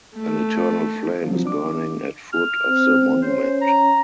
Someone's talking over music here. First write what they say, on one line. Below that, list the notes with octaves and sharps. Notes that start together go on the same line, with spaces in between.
An eternal flame is burning at foot of the monument.
A3
F3 F#3 C4 F4
D4 D6
F6
C4
C#4 C5
A#5